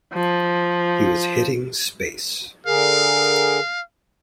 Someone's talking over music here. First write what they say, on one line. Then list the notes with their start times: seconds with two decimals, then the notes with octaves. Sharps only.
He was hitting space.
0.14 F3
2.67 D3 G#4 A#4 F5